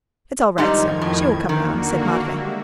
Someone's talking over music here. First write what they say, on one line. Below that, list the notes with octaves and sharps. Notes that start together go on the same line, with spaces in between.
"It's all right, sir; she will come round," said Matvey.
F2 G#2 D#3 G3 D#4 G#6
A2
D3 D#3 A#3 F#4
G3 G#3 E5